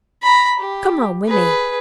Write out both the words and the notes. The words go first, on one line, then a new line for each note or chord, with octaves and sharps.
Come home with me.
A#5 B5
G4
G#4 B4